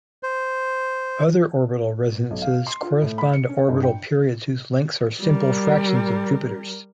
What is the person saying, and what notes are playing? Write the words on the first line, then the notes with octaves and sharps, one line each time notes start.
Other orbital resonances correspond to orbital periods whose lengths are simple fractions of Jupiter's.
C5
B1
F5
C6
F4
A2
B5
C#7
C#4
G1
G5
G3 A#4